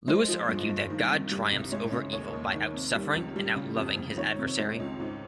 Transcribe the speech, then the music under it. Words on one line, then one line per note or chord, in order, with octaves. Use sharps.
Lewis argued that God triumphs over evil by outsuffering and outloving his adversary.
G#3 C5
F3
G2
G2
D#3
C3
G3
C2
G#3 C#5
C#3
D#2 C#5
D#2
D#3
C3
G3
C#2
G3
C#3
F2
F2
D#3 C#5
C3
G#3
C#2
G#2